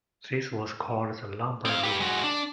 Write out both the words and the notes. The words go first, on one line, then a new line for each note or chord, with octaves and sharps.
This was called the lumber room.
C4 F5
G4 B4
G#3 F#4
D4